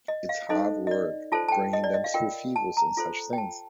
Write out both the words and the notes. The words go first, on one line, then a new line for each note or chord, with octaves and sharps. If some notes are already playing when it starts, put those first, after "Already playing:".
It’s hard work bringing them through fevers, and such things.
D#5
F5
D#4 A4 C5 D#5
D#5
D5
F4 A4 C5 A5
A5
G5
D#5
D5
D#5
F5
F4 A#4 G5
A5
A#5
F4 A4 C5
G5
A5